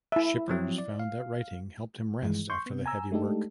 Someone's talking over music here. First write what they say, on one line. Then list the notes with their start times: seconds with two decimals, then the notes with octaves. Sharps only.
Schippers found that writing helped him rest after the heavy work.
0.12 E4 E5
0.48 F3 F#3 C4
0.78 D5
0.99 F5
2.22 G2 D#3 E3 G#3
2.50 C6 C#6 G6
2.66 C3 B3
2.86 G#5 A#5 E6
3.11 G#3 A3 D4 D#4 G4 A4